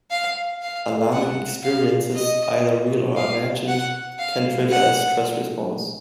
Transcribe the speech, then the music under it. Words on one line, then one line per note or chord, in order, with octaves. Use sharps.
Alarming experiences, either real or imagined, can trigger a stress response.
F5
F5
F#5
F5
D#5
F5
F#5
F5
F#5